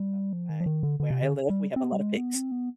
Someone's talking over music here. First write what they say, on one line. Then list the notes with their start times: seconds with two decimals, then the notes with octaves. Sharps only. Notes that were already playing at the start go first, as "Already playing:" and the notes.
So I where I live, we have a lot of pigs.
Already playing: G3
0.33 F3
0.49 D#3
0.61 F3
0.66 D#3
0.83 D3
1.00 D3
1.10 C3
1.22 D3
1.50 G3
1.76 C4
1.84 B3
1.92 G3
2.01 G#3
2.17 B3
2.35 C4
2.52 B3